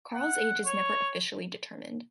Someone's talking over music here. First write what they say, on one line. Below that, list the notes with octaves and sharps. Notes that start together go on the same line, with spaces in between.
Carl's age is never officially determined.
F#5
C#5